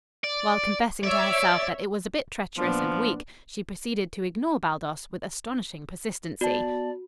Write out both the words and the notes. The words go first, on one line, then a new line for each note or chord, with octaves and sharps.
While confessing to herself that it was a bit treacherous and weak, she proceeded to ignore Baldos with astonishing persistency.
D5
C#5 D5 E5
A#2 F3 B3 D4
B3 F#4 D5 A5